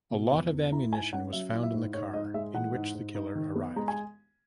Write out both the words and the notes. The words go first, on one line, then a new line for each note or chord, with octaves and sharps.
A lot of ammunition was found in the car in which the killer arrived.
B2
E2
E2
E4 A#5
G#2 G#5
C#4 F#5
F#3 E5
E4
E5
G#2
G#2 C#5
G#2 D#5
G#3 E5
E3 F#5
G#2
G#2
D#4
D#3
B3
G#3 A#5
G#5